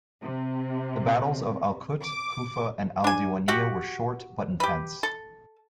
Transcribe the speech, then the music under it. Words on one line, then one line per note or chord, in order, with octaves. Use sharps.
The battles of Al Kut, Kufa, and Al Diwaniyah were short, but intense.
C3
D6
D4 G#5
F#4 G4 F#5
G4 B4
A4